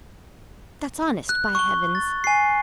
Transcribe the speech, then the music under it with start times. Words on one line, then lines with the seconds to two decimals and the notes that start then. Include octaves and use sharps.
That's honest, by heavens!
1.29 F#6
1.55 C#6 G7
1.95 A6
2.24 G#5 C7